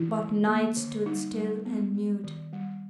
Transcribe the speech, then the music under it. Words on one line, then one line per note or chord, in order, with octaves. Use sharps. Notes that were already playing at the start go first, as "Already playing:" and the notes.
But Night stood still and mute.
Already playing: E3 E4
D3
A#3
D3
G3 D#4
G3
B3
G3
D#3
G3